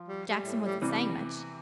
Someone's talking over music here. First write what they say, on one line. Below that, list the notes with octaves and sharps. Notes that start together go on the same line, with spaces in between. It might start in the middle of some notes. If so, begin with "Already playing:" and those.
'Jackson wasn't saying much.
Already playing: F3
G3
G3
A2
G3
C3 E3 G3